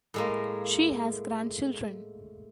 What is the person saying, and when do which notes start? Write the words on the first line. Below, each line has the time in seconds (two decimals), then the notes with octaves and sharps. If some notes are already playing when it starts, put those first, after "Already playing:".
She has grandchildren.
0.14 A2 G#3 A#3